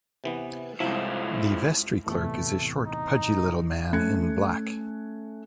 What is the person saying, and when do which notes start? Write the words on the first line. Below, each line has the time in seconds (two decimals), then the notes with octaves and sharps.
The vestry-clerk is a short, pudgy little man, in black.
0.24 C3 E3 B3
0.80 C2 G#2 F3 E4
2.07 E2 A2 C3 A3
2.85 D#4
3.93 A3 C#4 F#6 G#6 C#7